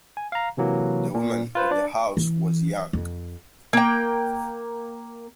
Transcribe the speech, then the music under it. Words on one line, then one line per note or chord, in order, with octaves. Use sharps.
The woman of the house was young.
G#5
F5 A#5
C3 E3 F#3 A#3
A#2
F4 B4 C5
D4 D5
E3
F2
A#3 G5